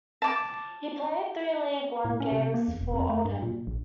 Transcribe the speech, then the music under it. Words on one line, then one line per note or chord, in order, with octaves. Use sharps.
He played three League One games for Oldham.
A5 D6
A2
C#4
C3
A#3
E2
E1
F2
A3
G2
A#2
A#1